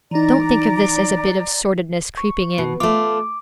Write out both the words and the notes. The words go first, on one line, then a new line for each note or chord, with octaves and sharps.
Don't think of this as a bit of sordidness creeping in.
E3 D#4 D5 A#5
C#6
B2
A3 F4 D6